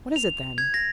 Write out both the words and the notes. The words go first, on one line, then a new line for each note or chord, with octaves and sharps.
"What is it then?"
F7
G#6
A#6